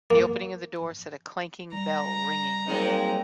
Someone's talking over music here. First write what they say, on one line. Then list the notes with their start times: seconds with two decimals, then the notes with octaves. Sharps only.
The opening of the door set a clanking bell ringing.
0.11 A#3
1.73 G3 A#5
2.67 F#3 G#3 A#3 C4 D#4